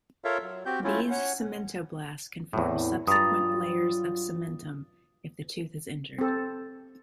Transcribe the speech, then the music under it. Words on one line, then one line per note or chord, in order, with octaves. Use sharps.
These cementoblasts can form subsequent layers of cementum if the tooth is injured.
F4 A4 A#4 C#5 E5 F5
F#3
C4 F#4 G4 G6
F#3 A3 C#4 E4 F4
C#4 C#5 F#5
E2 A2 C4 E4
G2 F#3 F4 A#5 D#6 A6
C4 A4